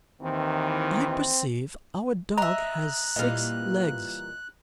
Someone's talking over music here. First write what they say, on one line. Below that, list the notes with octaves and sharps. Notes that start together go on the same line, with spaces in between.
"I perceive our dog has six legs."
D#2 D#3 E3 C4
D#5 E5 A#5 F#6
A#2 E3 G3 D#5 F5